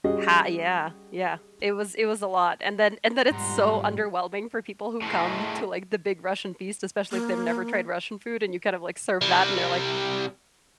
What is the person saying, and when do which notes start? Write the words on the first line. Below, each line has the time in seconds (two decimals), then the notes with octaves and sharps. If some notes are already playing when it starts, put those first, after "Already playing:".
Ha yeah, yeah. It was it was a lot, and then and then it's so underwhelming for people who come to, like, the big Russian feast, especially if they've never tried Russian food and you kind of, like, serve that and they're like,
0.04 G3 C#4 F#4 G#4 D#5
3.31 F2 G#2 B2 G3 F#5 A#5 C6
5.02 A2 G#3
7.12 A#3
9.21 C3 G3